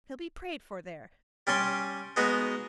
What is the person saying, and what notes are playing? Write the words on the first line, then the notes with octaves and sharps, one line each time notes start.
He'll be prayed for there.
G3 C#4 D5 C6
G#3 B3 D#4 F#4